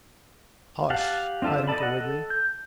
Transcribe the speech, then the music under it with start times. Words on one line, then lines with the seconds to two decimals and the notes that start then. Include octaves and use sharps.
"Hush!" cried Uncle Wiggily.
0.90 G4 F5 F#5 A5
1.42 C4 D4 F4 A4 E5
1.67 D#4 A4 D5 A5 B5
1.80 D#5 F#5
2.00 A4
2.30 G6